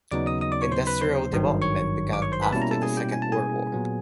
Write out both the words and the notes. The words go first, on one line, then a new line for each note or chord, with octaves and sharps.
Industrial development began after the Second World War.
D#2 C#3 F#3 B3 D#4 D5 D6
D#5 D#6
D#5 D#6
D5 D6
C#5 C#6
C5 C6
B4 B5
C5 C6
G#1 G2 D#3 F#3
C#5 C#6
D6
C#5 C#6
C5 C6
B4 B5
B2 G3 A#3 C#4 E4 A5
A#5
A4 A5
G#4 G#5
G4 G5
G#5
A5
G#4 G#5
A#2 F#3 B3